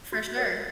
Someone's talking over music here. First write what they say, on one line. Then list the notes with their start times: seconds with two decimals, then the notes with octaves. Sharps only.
For sure.
0.12 F#4
0.38 A#4 C#5